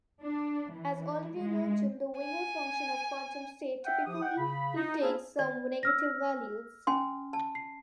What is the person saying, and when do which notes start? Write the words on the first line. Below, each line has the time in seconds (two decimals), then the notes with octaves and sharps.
As already noted, the Wigner function of quantum state typically takes some negative values.
0.23 D4
0.73 E3
1.37 G#3
2.18 G#5
3.85 E5 F#5 G5
4.06 F3 G4 D#6
4.22 F#5 G5
4.38 C#3 B5
4.77 D#4
5.02 A#3 D4 E4 F4 G#4
5.39 D5
5.83 E6 F6 A#6
6.87 C#4 G#5 C6
7.33 A5
7.55 C7